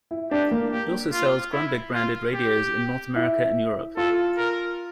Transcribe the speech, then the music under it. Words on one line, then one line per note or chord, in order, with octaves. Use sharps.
It also sells Grundig-branded radios in North America and Europe.
E4
D4 G4
A#3
G4
F4
E4
F4
G4
E4
F4 A4
A#4